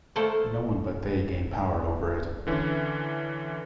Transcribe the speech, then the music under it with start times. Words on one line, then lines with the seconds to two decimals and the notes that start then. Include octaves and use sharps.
No one but they gained power over it.
0.16 A3 A#3 A4 C5 D5
2.47 D3 E3 C#4